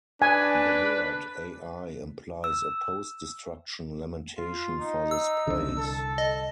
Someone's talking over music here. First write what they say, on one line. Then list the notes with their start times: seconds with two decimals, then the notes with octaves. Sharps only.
The word "Ai" implies a post-destruction lamentation for this place.
0.22 D4 B4 G#5
2.44 E6
4.38 F4
4.79 D#4
5.11 E6
5.47 C2 D3
5.78 A4
6.18 D#5